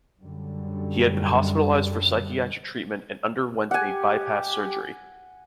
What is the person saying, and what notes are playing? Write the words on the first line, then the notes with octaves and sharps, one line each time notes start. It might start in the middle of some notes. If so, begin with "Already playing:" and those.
He had been hospitalized for psychiatric treatment and underwent a bypass surgery.
F#2 D3 G3
G4 F#5 G#5